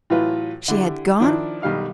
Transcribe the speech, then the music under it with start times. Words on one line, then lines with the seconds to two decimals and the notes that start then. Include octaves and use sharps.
"She had gone?"
0.10 A2 E3 F#3 F4 B4
0.68 D3 E4 G4
1.20 D#3 F3 D4 E4
1.62 B1 D#3 G3 F5 F6